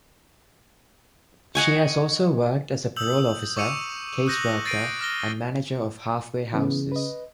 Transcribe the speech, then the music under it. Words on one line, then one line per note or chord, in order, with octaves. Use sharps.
She has also worked as a parole officer, caseworker, and manager of halfway houses.
D#5 F#5 G#5 C#6
D#6 E6 G6 F#7
C#6 D6 E6 C#7 D#7 F7
D#6 F#6 G6 A#6 D#7 F#7
A6 A#6 C7 D7 D#7
D6 F6 A#6 G7
C#3 E3 B3 C#4
B4 D#5